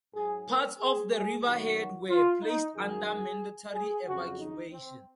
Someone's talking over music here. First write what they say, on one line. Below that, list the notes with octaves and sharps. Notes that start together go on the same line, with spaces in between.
Parts of Riverhead were placed under mandatory evacuation.
G#2 F#3 G#4
A#4
G#4
G#4
F#2 D#3 F#3 F#4
F4
D#4
F#2 D#3 F#3 G#4
G#4
F2 C#3 F#3 F#4
D#4
C4